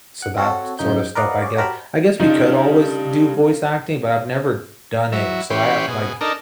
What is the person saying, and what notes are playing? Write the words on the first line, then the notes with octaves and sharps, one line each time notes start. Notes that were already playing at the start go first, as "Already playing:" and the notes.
so that sort of stuff, I guess I guess we could always do voice acting, but I've never done it, so I have, like,
F#5
C4 F#4 A4 C#5
F#2 C#3 E3 D#4 G6
A#4 B4 D5 D#5 F5 F#5
G#4 C#5 D5
F#4 G4 A#4 C5 A5 B5
C#3 G3 D4 D#4 F4
F#3 E4
E3 C#4 G4 B4 C5
B2 G#4
D4 D#4 A4 A#4